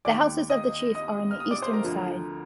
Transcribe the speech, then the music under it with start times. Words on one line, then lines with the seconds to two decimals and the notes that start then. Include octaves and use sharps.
The houses of the chief are on the eastern side.
0.05 D#2 D#3 D5 D6
0.50 D#5 D#6
0.95 D#5 D#6
1.31 F6
1.40 D#6
1.51 D5 D6
1.62 C5 C6
1.73 A#4 A#5
1.84 D2 D3 F3